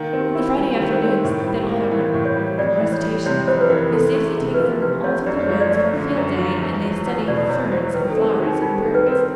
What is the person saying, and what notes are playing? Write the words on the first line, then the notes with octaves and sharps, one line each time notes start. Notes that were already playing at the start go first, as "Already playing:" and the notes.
And the Friday afternoons they don't have recitations Miss Stacy takes them all to the woods for a 'field' day and they study ferns and flowers and birds.
Already playing: D#3 A#3
C4
G4
F#4
E4
F#4
G3 F4
G4
F#4
D#3
C5
C4 C#5
C5
A2
G3
A#3
E3
A2
C#5
G3
F2 D5
E3
C#5
G3
C3 C#5
F2 C5
B4
E3 A#4
C3 A4
A3
G#4
C3
B4
F3 A#4
C3 B4
A3 C#5
F#2 D5
C#5
F3
D5
A3 D5
C#5
D3
F#2
F3
E2
F#3
E2
B2 D5
E2 C#5
F#3 C5
D#3 B4
A4
C4
G#4
D#3
D#4
G3 D#4
A4
D#3
B4
C4
B4